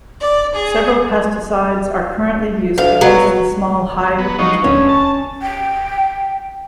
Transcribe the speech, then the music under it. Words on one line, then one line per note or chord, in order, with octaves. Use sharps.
Several pesticides are currently used against the small hive beetle.
D5
G#4
D2 F5
F#3 B3
B3
F3 F#3 D#4 C#6
D2 C#4
A5
G5